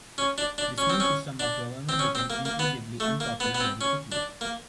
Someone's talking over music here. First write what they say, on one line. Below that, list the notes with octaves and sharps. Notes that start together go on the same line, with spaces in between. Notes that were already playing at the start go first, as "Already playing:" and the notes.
This new system of government became increasingly unpopular very quickly.
C#4
D4
D4
C#4
C4
C#4
D4
C4
C#4
C4
A#3
A#3
B3
A3
A#3
B3
B3
C4
C#4
D4
A#3